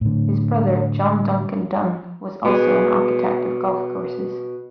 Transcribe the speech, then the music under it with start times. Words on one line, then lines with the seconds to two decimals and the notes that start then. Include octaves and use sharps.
His brother John Duncan Dunn was also an architect of golf courses.
0.01 A2 D3
2.45 B2 G#4